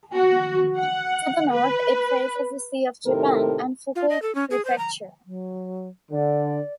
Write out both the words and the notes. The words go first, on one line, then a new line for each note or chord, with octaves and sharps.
To the north, it faces the Sea of Japan and Fukui Prefecture.
F#4
F#5
B4
A2 C3 D#3 A4 A#4
F4
D#5
A4
C#4
G#4
C5
A#5
F#3
D3 D5